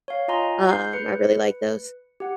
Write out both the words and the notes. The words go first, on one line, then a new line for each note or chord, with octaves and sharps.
um, I really like those.
C#5 F5
F4 D#5 G#5 A#5 C6
G6 C7
B4 C#7
G4 F#5